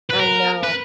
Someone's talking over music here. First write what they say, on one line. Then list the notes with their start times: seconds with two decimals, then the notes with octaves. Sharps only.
I know.
0.10 B4
0.19 A#4
0.63 B4